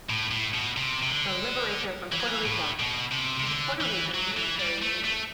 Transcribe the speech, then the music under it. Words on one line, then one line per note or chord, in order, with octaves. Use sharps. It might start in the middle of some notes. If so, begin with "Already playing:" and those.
The Liberator from Puerto Rico, was a Puerto Rican military leader.
A2
A2
B2
C3
C3
D3
E3
F#3
E3
A2
B2
C3
C3
D3
E3
F#3
E3
G3
A3
A3